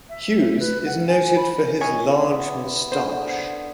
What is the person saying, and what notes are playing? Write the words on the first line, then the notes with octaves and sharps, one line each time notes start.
Hughes is noted for his large moustache.
E5
B4
F#5
G#5
B5
C#5 D#5 G#5
B3 E4 G4
D3 B3 C5